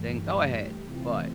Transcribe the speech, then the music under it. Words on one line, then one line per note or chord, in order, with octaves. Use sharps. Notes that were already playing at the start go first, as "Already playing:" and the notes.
then go ahead, but
Already playing: G2 E3 A3
G4
C3 E3 A3 C4 F4